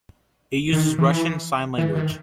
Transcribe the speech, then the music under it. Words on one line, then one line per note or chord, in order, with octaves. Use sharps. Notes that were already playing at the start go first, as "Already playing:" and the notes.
It uses Russian Sign Language.
D#3
E3
E3
D#3